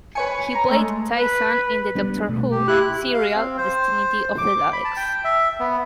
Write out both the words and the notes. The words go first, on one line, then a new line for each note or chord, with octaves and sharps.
He played Tyssan in the "Doctor Who" serial "Destiny of the Daleks".
B4 C#5 G#5 C#7
A#5
G#3 A3 A4
B4
G3 B3 D4
B2 A3
G4
E4 G4 F#6
F5
C4
C5
D6
B5
A5
G5
E5
B3